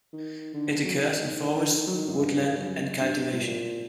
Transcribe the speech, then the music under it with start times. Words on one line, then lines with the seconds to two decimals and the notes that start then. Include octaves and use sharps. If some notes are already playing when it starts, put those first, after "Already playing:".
It occurs in forest, woodland and cultivation.
0.13 D#3
0.54 D3
0.85 F#3
0.96 D#3
1.36 D#3
1.56 D3
1.77 D#3
1.87 F#3
1.98 D#3
2.07 F#2
2.18 G2
2.31 G2
2.45 G2
2.59 F#2
2.99 G2
3.31 A2
3.40 A#2